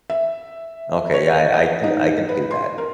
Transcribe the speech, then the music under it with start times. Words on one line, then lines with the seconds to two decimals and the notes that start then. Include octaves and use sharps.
okay, yeah, I I can I can see that.
0.10 E5
1.14 C#5
1.54 D#5
1.84 D#4
2.29 B4
2.51 C6
2.78 A#4